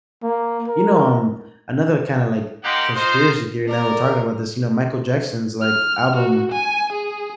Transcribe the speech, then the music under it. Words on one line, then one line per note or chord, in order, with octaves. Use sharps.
You know, um, another kinda, like, conspiracy theory, now we're talking about this, you know, Michael Jackson's, like, album,
A#3
A#4
A#3 D#4 G4 F#5 C6
D#4 F4 C5
A#4 D5
F6
F#4
G#5
G#4